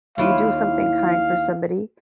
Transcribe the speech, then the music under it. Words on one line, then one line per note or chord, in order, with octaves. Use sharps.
you do something kind for somebody
D#2 E4 F4 F5